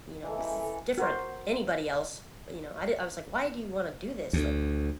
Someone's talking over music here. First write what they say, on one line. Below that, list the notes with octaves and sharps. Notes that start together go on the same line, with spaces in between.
you know, s different, anybody else. But, you know, I di I was like, "Why do you wanna do this?" Like
E3 G#3 A#3 A4
C#4 E4 G5 B5
A#4
A4
F#4 A#4 C5
D2